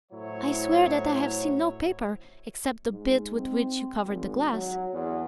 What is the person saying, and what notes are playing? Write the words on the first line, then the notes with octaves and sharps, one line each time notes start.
"I swear that I have seen no paper except the bit with which you covered the glass."
A2 F#3 E4 C5 C#5
G#2
C4
G#1
F#3
E2